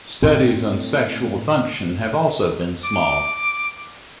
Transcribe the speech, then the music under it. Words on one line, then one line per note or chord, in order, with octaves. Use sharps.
Studies on sexual function have also been small.
A2 C4
D6